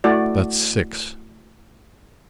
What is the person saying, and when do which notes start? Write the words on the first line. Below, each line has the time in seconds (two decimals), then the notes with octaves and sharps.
That's six.
0.04 A3 E4 F#4 D5